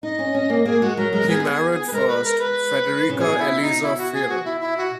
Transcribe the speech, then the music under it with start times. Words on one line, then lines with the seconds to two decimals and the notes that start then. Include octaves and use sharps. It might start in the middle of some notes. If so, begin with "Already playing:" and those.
He married first Frederica Eliza Fearon.
0.03 D#4 D#5
0.19 C#4
0.35 C#4
0.50 A#3
0.65 A#3 G#4
0.81 G#3 F#4
0.97 F#3 A#4
1.13 G#3 A#4
1.28 B3 G#4
1.87 B4
1.92 G#3 A#4
2.08 B4
2.24 A#4
2.39 B4
3.09 C#3
3.18 B2 G#4
3.39 E4
3.61 D#4
3.82 E4
3.98 F#4
4.13 G#4
4.29 F#4
4.45 E4
4.60 E4
4.77 F#4